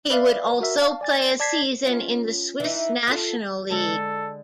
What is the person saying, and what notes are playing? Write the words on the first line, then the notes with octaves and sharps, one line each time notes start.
He would also play a season in the Swiss National League.
B4 D5 E5 F5
F#4 A#4 E5
F5 A5
D5 G#5 A6
D5 A5 G#6 B6 C7
C#4 F4
E3 D#4
F4 G4 A4
D3 G#3 A4